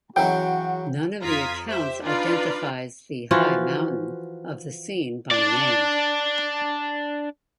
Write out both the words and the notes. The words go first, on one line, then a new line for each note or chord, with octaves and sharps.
None of the accounts identifies the "high mountain" of the scene by name.
C#3 E3 F#3 F#4 F#5 G5
F2 F4 A#5 D#6 G#6 B6
G4 C5 E5
D4 D#4 F4 B4 D5
E3 F3 F4 F#4
D4 D5